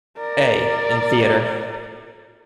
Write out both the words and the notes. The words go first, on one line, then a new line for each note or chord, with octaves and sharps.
A. in theatre.
A#4 D5